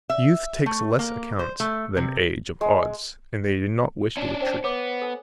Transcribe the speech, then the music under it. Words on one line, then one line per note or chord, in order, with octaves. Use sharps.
Youth takes less account than age of odds, and they did not wish to retreat.
E5
A3
A#3
C5
A3
C3
G#3
C#4 D4
C5 G5
B3 C#5 D6
A4 G#5